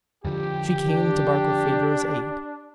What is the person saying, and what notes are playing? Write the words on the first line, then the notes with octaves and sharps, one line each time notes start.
She came to Barkilphedro's aid!
F2 D3 F3 G4
D4